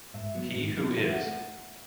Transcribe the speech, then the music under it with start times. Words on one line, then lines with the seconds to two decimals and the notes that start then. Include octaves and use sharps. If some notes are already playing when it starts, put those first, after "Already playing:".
"He Who Is".
0.14 G#2 E5
0.35 F#3 B3
0.55 G#2
0.77 F#3 B3
0.97 E3 E5
1.11 F#5
1.17 A3